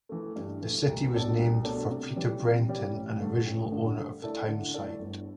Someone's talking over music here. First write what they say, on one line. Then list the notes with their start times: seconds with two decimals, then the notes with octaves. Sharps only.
The city was named for Peter Brenton, an original owner of the town site.
0.09 E3 A3
0.36 G2
0.61 E3 A3
0.87 C2
1.13 B2 A3 D4 A4
1.39 C2
1.64 B2 A3 D4 A4
1.90 C3
2.16 E3 G3
2.42 C3
2.68 E3 G3
2.93 A1
3.19 G2 D3 A3
3.45 A1
3.70 G2 D3 A3
3.97 D3
4.22 A3 E4 A4 D5
4.48 D3
4.74 A3 E4 A4 D5
4.99 G1